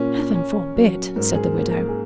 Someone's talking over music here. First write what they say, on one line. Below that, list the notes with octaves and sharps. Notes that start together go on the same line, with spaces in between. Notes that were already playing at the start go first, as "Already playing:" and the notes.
"Heaven forbid!" said the widow.
Already playing: A#2 C#4 A#4
C#4
F#3
G#2 A#4
G#4
A#4
A#3
A#4
G#4